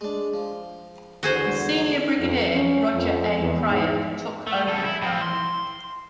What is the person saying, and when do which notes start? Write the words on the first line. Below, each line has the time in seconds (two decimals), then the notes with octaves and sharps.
His senior brigadier Roger A. Pryor took over command.
0.01 G#3 D4
0.34 F3
1.23 E2 D3 F#4 G#4 C5
2.20 F2
2.52 C#4
2.95 F2
3.39 E2
3.69 G#2
4.47 A3
4.67 C#3 A4
4.84 E4
5.02 A2 C4
5.22 C6